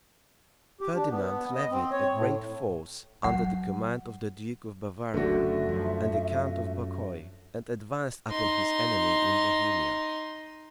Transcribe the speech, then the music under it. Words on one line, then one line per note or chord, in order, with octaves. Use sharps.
Ferdinand levied a great force, under the command of the duke of Bavaria and the count of Bucquoy, and advanced upon his enemy in Bohemia.
G4
D4
B3
D#5
C4
C#5
A2
F#3 F#5
F#1 F#2 D3 A3 D4 F#4 E5
F#2 F3
D#4 C6